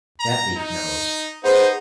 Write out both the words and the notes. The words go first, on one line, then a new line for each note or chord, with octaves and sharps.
That leaf knows.
A#5
D#4
B3 D#4 G#4 C5